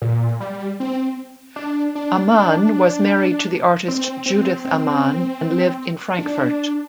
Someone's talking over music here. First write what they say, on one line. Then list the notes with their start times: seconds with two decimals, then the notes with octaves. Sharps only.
Ammann was married to the artist Judith Ammann and lived in Frankfurt.
0.02 A#2
0.40 G3
0.80 C4
1.56 D4
1.95 D4
2.34 D4
3.88 C4
4.26 C4
4.65 C4
6.19 D4